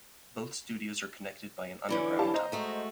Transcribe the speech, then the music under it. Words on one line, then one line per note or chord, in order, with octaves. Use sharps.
Both studios are connected by an underground tunnel.
D3 E3 C#4
G4 F5 A5
C5 D#5 A#5
G#3 A3 F#4